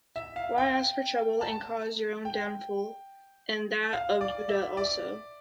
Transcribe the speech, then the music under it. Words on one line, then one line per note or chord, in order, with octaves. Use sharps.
Why ask for trouble and cause your own downfall and that of Judah also?
E5
F5
G5
A5
G5
F5
D5
E5
D5